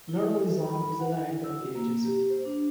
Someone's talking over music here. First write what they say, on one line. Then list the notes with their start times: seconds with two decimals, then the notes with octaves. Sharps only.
Nurul Islam is the Director of the agency.
0.09 E4
0.31 A4
0.64 B5
0.99 F#5
1.21 E4
1.44 E6
1.59 F#4
1.75 A#3
2.04 G4
2.30 C5
2.45 D4